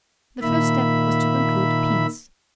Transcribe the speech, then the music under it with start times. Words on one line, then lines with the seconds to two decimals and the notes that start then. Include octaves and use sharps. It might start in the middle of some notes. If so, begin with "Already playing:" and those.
The first step was to conclude peace.
0.42 A#2 D#3 A#3 E5 B5